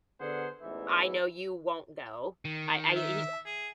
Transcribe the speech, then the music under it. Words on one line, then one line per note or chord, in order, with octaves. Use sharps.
"I I know you won't go. I I" He's
D3 B3 D4 G#4 C5 F#5
A1 E2 G#2 E3 E5
D#3
E5
G#4